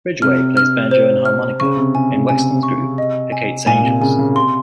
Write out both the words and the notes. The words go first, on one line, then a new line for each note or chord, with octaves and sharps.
Ridgway plays banjo and harmonica in Wexstun's group Hecate's Angels.
C3 F6
F6
C5
F6
C#3 C#6
C3
C3 G#5
C#3
C3 G#5
C#6
D#5
G#5
A#2 G#5
C3
C#3 G#5
C#3
C3 C6